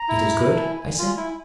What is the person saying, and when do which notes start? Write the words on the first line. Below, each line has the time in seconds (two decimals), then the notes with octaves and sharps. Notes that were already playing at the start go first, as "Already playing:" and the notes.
"It is good?" I said.
Already playing: A#5
0.09 E4
0.39 B5
0.48 A#5
0.55 A5
0.62 G#5
0.99 F4
1.17 E4